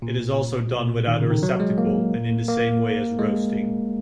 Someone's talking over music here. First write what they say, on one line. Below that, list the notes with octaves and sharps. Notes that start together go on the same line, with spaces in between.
It is also done without a receptacle and in the same way as roasting.
A#2
B2
D#3
C#3
D#3
F#3
G#3
A#3
A#3
G#3